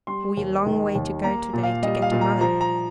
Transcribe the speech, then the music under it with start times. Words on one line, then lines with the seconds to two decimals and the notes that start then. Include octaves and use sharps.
"We long way to go to-day to get to Mother."
0.07 G3 C6
0.37 D#2
0.66 D#3
0.95 D#2
1.24 A#3 A#5
1.53 A#2
1.63 F5
1.82 G3 D#5
2.02 F5
2.12 A#2
2.21 A#5
2.41 F3 A#5
2.61 A#5